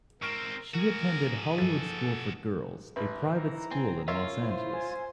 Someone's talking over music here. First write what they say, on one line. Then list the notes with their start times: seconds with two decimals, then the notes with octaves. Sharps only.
She attended Hollywood School for Girls, a private school in Los Angeles.
0.22 G#2 C4 A#4 C#6 F6 D7
0.74 F#4 G#4 A#4
1.58 G2 F3 A4
2.96 A1 B4 B5
3.36 E3 A#5
3.71 C4 G#5
4.08 C#4 F4 A#4 C#5 E5 C6
4.42 E4 C5
4.73 G#5